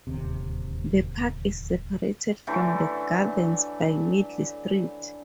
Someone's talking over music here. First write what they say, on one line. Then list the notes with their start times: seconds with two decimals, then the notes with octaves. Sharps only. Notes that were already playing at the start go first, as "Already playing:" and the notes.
The park is separated from the gardens by Middle Street.
0.07 D1 D#2 C3
2.47 D3 E3 F#3 A3